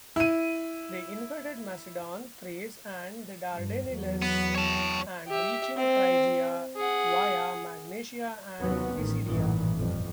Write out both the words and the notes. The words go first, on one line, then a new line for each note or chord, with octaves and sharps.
They invaded Macedon, Thrace, and the Dardanelles, and reaching Phrygia via Magnesia and Pisidia.
E4 D#7
G2
E2 F#3
B3
C#5 A5
G4 E5
C4
G#4 F#5
D#2 C3 F#3 B3 C#4
A1 A2 D#3
A1 G2 A#2 D#3 E3
G1 F2